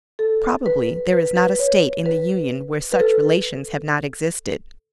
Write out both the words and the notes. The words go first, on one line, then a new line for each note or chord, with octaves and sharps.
Probably there is not a state in the Union where such relations have not existed.
A4
B4
B4
B4
C#5
B4
B4
A4